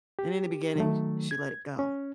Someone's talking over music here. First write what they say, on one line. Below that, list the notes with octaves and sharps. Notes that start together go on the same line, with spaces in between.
and in the beginning, sh she let it go,
G4
D#3 F#3 A3
G#6
C#4